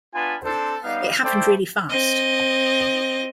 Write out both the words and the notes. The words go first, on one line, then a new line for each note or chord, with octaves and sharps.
It happened really fast.
B3 D4 F4 G#5 A5 B5
C4 D4 A4 C5
G3 B3 D#4 F5
A3 A4 C5 D5 G5 B5
C4 D#5